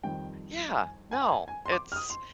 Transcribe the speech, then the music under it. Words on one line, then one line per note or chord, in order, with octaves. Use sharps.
Yeah. No, it's
F2 D#3 G3 G5
G#5
G#5
G5
G#5
G#5
C6
D6
F6
D#6
C6